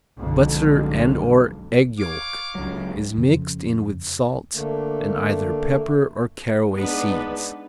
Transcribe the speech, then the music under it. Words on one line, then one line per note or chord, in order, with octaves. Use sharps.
Butter and/or egg yolk is mixed in with salt, and either pepper or caraway seeds.
B1 F2 G#2 D3
C#5 F5 D6
C#2 F#3
F2 C#3
D3 A3 A#3
G#3 B3 D4 D#4 B4